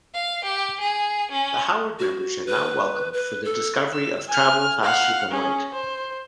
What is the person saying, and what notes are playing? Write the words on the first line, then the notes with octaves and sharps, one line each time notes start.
The Howard members are now welcomed for their discovery of travel faster than light.
F5
G4
G#4
C#4
F#4
B4
B4
A4
E6
G#5 F6
F5 F#5
C#4 G#4
C5